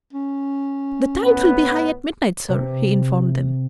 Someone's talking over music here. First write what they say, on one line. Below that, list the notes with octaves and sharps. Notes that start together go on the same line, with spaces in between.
"The tide will be high at midnight, sir," he informed them.
C#4
A2 B3
C3